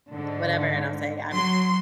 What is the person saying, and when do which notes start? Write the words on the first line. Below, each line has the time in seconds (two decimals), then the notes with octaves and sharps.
whatever, and I'll say, "I'm,
0.11 G#2 D3
1.30 F#3 C6